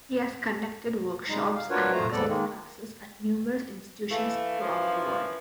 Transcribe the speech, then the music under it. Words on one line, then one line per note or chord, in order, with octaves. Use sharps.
He has conducted workshops and master classes at numerous institutions throughout the world.
G3 G#3 D#4
F5
D4 F4 F#4 A#4 B4 C#5
A3 F4 C5 A#5
D#2 G#2 G3 B3 A4 D5
D#3 G#3 A#3
E3 A3 F5
F#2 E3 F3